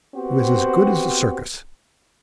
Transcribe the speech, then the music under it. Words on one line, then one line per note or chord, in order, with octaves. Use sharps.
It was as good as a circus!
B3 C4 F#4 G4 C5